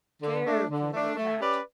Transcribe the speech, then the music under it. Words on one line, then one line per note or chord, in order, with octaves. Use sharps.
Care killed a cat.
D3
A3 D4
D3
A3 D4
A3
C#4 G4 B4 D5